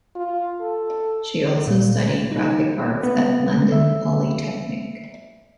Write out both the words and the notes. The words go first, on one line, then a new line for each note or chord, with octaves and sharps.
She also studied graphic arts at London Polytechnic.
F4
A4
A#2
D#4
B3
E5